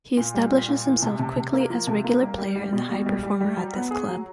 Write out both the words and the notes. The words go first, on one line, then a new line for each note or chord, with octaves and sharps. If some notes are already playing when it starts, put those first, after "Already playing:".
He establishes himself quickly as regular player and high performer at this club.
A#2
G3
A#2
A#2
E3
C3
C3
C3
A#3
F3
C3
A#3
G3
G3
G3
B2
G3
G3
G3
G3
F#3
B3
G#4
F#3